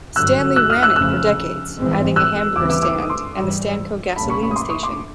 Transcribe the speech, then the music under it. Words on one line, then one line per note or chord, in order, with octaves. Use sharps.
Stanley ran it for decades, adding a hamburger stand and the Stanco gasoline station.
G1 G2 D3 F#3 E6 F#6
E6 F#6
D#6 F6
E6 F#6
F1 F2 C#3 F3 E6 F#6
G#1 G2 E3 G#3 C4
E6 F#6
D#2 C#3 E3 G3 C4 D6 E6
D6 E6
D6 E6
D#6
C6 D6
G#2 E3 G3
C#2 B2 G3 A#3 C#4 A5 B5
B5 C#6
B5 C#6
D#6
C6 D6
C#6 D#6
C6 D6